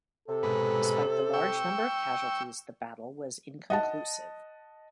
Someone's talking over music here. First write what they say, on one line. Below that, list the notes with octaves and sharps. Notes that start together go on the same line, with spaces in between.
Despite the large number of casualties, the battle was inconclusive.
C3 A4
G#2 B2 B4
G5 C#6 E6
D#5 F#5 A5